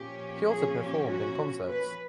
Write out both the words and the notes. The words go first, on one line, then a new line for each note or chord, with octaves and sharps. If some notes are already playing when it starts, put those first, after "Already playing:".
She also performed in concerts.
Already playing: A#2 F3 A#3 C#4 G4
G#4
G4
F#4
B4